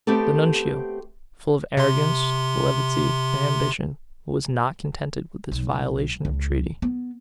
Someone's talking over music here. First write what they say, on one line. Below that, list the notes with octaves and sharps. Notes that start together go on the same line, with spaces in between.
The nuncio, full of arrogance, levity, and ambition, was not contented with this violation of treaty.
A3 B3 C4 G4 A4
C3 C6
B1
C#2
B3